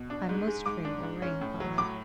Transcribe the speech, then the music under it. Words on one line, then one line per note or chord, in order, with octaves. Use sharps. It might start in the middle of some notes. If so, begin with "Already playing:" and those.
"I'm most afraid it will rain, Polly."
Already playing: B2
D4
G#2
G#3
G#2 D6
D4
G#2
C#4
A2
F#3
A2 D6